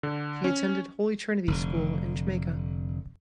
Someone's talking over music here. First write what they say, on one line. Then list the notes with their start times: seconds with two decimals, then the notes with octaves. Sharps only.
He attended Holy Trinity school in Jamaica.
0.03 D3
0.44 C#4
1.48 F1 D3